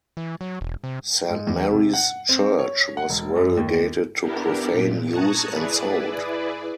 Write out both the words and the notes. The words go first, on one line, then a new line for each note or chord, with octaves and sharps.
Saint Mary's church was relegated to profane use and sold.
E3
F#3
E1
C3
G#2
E2
C3
F#5
C4
C#5
F#5
E1
F#2
D#2
B3 D4 E4 G4 A#4
A#2
A5 A#5 C#6 D#6 F#6 G#6
E4 G#4 B4 D5